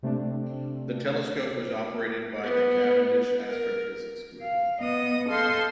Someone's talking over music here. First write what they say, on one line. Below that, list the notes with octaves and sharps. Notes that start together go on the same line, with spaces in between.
The telescope was operated by the Cavendish Astrophysics Group.
C3 A3 C4 D4
B3
A#4
F5
B3 D#5 D#6
A4 D#5 F5 C6 G6